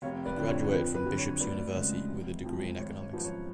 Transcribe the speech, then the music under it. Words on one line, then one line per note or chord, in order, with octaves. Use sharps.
He graduated from Bishop's University with a degree in economics.
F1 C#5 F5
B4 D5
F2 D3
C#5
F2 B4
B4
D3 F#3
C#5
D2 B4 D5
C#3 G#3 B3
F1
F2 F3 G#3
G#1 C#5
C#5
F#2 F3 B3
C#5